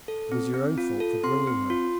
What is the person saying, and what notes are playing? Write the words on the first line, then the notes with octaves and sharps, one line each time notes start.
It was your own fault for bringing her.
A4
C4
C4
F4
A4
C4 C6
C4
F4